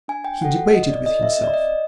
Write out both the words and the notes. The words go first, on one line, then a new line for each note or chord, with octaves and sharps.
He debated with himself.
D4 G#5
G5
F#4 A4 F#5
C4 D#5
D5
E4 A4 D#5
E5
D#5
C4
D5
D#5